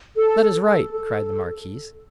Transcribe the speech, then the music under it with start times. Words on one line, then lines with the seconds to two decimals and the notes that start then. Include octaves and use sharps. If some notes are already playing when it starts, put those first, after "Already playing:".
"That is right," cried the marquise.
0.16 A4
0.41 A4
0.68 A4
0.93 A4